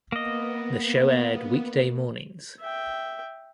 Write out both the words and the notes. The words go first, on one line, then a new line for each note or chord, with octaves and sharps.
The show aired weekday mornings.
A#3 B3 D#5
E5 G5